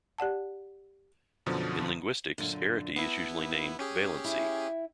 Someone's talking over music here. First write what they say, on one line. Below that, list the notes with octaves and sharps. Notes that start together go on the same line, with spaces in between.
In linguistics, arity is usually named "valency".
G4 D5 F#5 A5
F#2 B2 D3 F3
F#2 A#2 D3
B3 E4 A5
C#4 G4 G#4
E4 E5 G5